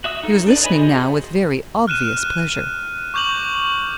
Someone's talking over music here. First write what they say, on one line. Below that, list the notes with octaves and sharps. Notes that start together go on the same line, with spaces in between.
He was listening now with very obvious pleasure.
F#4 E5 D#6 E6
D#4 A4
D4 B4 D5
C#5 D#5 G#5 A5 B5
F#4 G#4 C5 D#5
F6 F#6 D#7 E7
C#6 D6 G6 F7 F#7